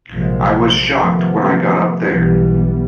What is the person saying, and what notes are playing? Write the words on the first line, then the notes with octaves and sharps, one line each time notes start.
I was shocked when I got up there.
A#1 C3 D#3 F3 F#3 G#3
C3 D#3 F3 A3 B3
B1 E3 G3 B3